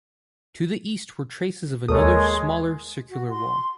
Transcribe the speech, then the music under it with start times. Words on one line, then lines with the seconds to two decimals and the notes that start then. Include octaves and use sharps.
To the east were traces of another, smaller circular wall.
1.88 D#2 G#3 A4 A#4 C#5 D#6
3.10 F#4
3.30 C6